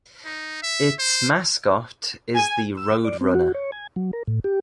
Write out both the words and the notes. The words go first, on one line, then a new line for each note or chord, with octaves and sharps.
Its mascot is the roadrunner.
D#4
E5
C5
G#5
E6
D5
C4
F#4
C#5
G#5
F#3
A#4
A2
G4